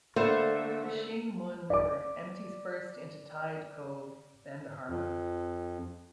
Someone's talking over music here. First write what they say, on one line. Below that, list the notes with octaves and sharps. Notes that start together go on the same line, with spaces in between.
The Shing Mun River empties first into Tide Cove, then the harbour.
D3 A3 A#3 C5
D5 D6
F2